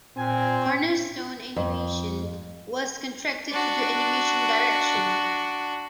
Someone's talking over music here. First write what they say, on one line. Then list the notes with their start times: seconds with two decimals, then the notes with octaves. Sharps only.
Cornerstone Animation was contracted to do animation direction.
0.17 A#2 C4 G#5
1.56 F2
3.51 D4 F#4